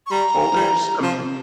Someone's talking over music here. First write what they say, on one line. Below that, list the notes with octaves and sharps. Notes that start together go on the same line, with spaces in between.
holders? I mean
C#6
G3 A#5
G3
F3